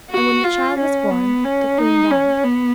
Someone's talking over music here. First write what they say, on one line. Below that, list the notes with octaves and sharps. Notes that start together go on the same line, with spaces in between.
And when the child was born, the queen died.
F#4
F4
C#4
B3
C#4
D#4
C#4
B3